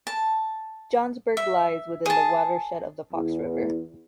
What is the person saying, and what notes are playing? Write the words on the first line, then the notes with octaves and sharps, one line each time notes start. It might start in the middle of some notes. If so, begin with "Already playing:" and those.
Johnsburg lies within the watershed of the Fox river.
A5
E5
G#4 A5
E2